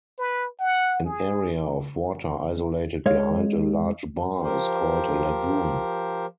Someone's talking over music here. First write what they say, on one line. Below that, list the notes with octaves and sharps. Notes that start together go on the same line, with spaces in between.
An area of water isolated behind a large bar is called a lagoon.
B4
F#5
G#4
G#3 C#5 F5
F3 G4 A#4 C5